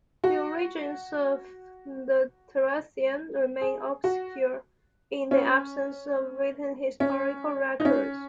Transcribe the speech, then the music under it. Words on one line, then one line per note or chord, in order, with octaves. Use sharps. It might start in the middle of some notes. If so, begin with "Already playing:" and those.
The origins of the Thracians remain obscure, in the absence of written historical records.
F#4
G#4
F#4
C#4
C#4
D#4
C#4